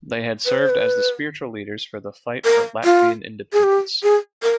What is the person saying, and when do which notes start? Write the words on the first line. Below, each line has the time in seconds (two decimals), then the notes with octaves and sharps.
They had served as the spiritual leaders for the fight for Latvian independence.
0.46 B4
0.58 C5
0.69 B4
2.45 A#4
2.84 F4
3.53 G#4
3.63 G4
4.03 G#4
4.43 A#4